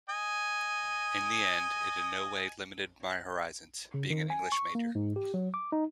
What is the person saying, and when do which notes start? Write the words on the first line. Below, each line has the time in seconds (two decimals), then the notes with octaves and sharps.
In the end, it in no way limited my horizons, being an English major.
0.09 D#5 G#5
3.94 C#3
4.10 D#3
4.30 G#5
4.52 C#6
4.75 A#3
4.95 G#2
5.16 G4
5.34 F#3
5.54 D6
5.72 D#4